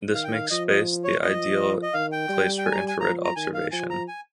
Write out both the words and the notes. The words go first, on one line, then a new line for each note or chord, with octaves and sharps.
This makes space the ideal place for infrared observation.
D#3 F5
G5
F5
F3 D#5
D#5
C#5
F3 D#5
D#5
D#3 F5
G5
G3
G5
G#5
A#5
G#5
G#5
F3 A#5
A#5
D#3 G#5
F5
F3 G#5
A#5
G#5